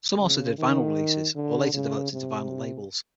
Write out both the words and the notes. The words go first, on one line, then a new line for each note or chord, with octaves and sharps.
Some also did vinyl releases, or later developed into vinyl labels.
C#3
D#3
D3
C#3
C3